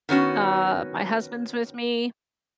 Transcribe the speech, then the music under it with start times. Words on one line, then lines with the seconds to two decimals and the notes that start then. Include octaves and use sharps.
Uh, my husband's with me,
0.09 D#3 B3 C#4 F#4